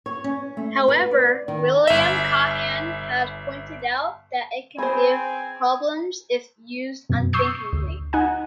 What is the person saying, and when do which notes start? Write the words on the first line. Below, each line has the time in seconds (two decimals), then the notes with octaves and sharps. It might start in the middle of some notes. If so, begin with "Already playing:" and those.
However, William Kahan has pointed out that it can give problems if used unthinkingly.
0.06 C#5
0.24 C#4
0.57 A3
0.88 B4
1.11 D5
1.48 D#3
1.87 G1 E5
4.78 C4 C#4 G#4 B4 C5 G#5 B5
7.09 F#2 B2
7.33 C#6 D#6 E6 G6 C7
7.73 D2
8.13 D#4 F#5 G#5